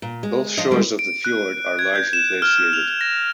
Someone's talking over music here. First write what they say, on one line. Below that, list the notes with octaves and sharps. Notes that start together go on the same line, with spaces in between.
Both shores of the fjord are largely glaciated.
A#2
G#3
F3 D4 C5 D#5
D3 G3 G#3
D7
F#6
G#6
G6
E7
F6
F7
A#6